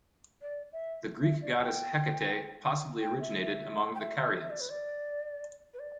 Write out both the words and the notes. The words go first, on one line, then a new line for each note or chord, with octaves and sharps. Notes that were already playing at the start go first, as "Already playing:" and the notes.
The Greek goddess Hecate possibly originated among the Carians.
D5
E5
E5
D5
G5
G5
E5
E5
G5
E5
E5
E5
D5
B4
D5
B4
D5